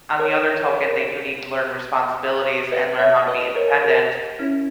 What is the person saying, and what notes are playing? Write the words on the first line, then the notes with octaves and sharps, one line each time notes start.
on the other token, they do need to learn responsibilities and learn how to be independent,
A#4 C#5
B4 D#5
C#5 E5
E5
B4 D#5
A#4 C#5
G4 A#4
C#4 E4